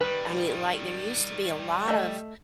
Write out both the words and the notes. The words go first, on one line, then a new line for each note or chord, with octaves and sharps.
I mean, like, there used to be a lot of
D#3 G3 B4
A3 D#5